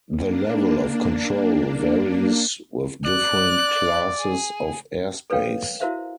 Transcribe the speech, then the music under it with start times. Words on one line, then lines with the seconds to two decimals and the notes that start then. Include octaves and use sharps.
The level of control varies with different classes of airspace.
0.17 A#3 D4
3.05 D5 F#6
4.19 G#4
5.30 A4 B4 C#5 F5 G5
5.80 E4 F#4 A#4 C5 E5 F5